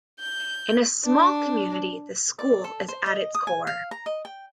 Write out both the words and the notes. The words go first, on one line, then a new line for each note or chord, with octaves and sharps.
In a small community, the school is at its core.
G6
D4
D5
A4
C5
D#5
D#6
G#5
F5
A#5
D#5
G5